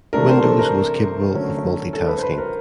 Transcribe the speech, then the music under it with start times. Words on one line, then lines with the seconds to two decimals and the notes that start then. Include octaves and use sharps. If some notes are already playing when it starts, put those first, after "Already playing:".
Windows was capable of multitasking.
0.13 C3 E3 A3 D4 A#4
0.29 C5
0.44 A4
0.59 A#4
1.34 D3 F#3 A3 C#4
1.93 A4
2.08 B4
2.18 C5
2.23 B4
2.38 A#4